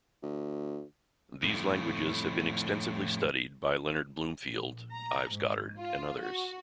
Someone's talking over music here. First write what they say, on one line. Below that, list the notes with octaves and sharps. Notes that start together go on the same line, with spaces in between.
These languages have been extensively studied by Leonard Bloomfield, Ives Goddard, and others.
D2
F2 A2
A#1
A#5
G#2
F4
F#4